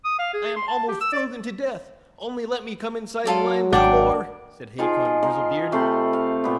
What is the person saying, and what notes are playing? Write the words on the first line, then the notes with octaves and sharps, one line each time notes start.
I'm almost frozen to death; only let me come inside and lie on the floor', said Hacon Grizzlebeard.
D#6
F5
G#4
C6
A5
G4
E6
D5
F#3 F4 A4 D5
G#1 D4 F#5 G5 D6
D#3 F3 F4 G#4
D#5
A#4 D#5 F5 C6
C3 A3 B5 C6
F5
A#2 B3